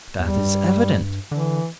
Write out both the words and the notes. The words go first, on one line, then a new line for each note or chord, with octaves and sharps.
That is evident.
E2 G3
G2
D3 E3